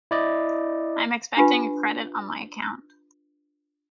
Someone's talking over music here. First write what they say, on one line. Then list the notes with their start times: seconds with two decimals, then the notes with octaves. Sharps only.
I'm expecting a credit on my account.
0.11 E4 D5 D#5
1.37 D4 F4 G4 B4